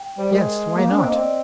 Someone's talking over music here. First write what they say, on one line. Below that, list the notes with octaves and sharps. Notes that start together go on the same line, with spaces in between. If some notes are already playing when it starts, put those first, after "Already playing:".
"Yes, why not?"
Already playing: G5
G3 C5
G#3 A#4
A#4
A#3
D4
C4
A#3 D#5
C4
D5